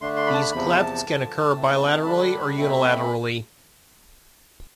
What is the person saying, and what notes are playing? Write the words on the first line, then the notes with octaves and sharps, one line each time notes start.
These clefts can occur bilaterally or unilaterally.
D3 A3 D4 C6
C6
B5
A5
B5
E2 C3 F3 B5
A5
G2 D3 F3
C3 E3 A3 C4
D3 G3 D4 B5
B2 A3 C4